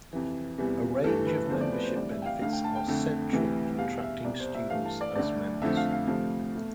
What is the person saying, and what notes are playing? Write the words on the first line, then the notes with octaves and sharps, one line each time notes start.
A range of membership benefits are central in attracting students as members.
F2 C3 E3
E2 C3 E3 G3
G2 E3 A3 A4
B4
E2 C3 F3 A3 C5
D5
B4
C5
D2 C3 E3 G3 D5
E5
G5
F5
D2 D3 A3 F5
G5
A5
G5
F2 D3 A3
D2 C3 E3
E2 B2 G3 F5
E5
C2 B2 G3 D5
C5
E5
G2 E3 A3 F5
A5
D5
D2 D3 A3 D5
F2 D3 F3 A3 E5
F5
F5
D2 C3 F3 A3
B2 A3